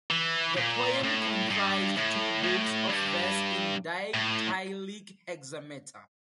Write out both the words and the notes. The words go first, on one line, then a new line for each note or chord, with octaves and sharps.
The poem comprised two books of verse in dactylic hexameter.
E3
A#2
A2
G2
A2
A2
G2
A2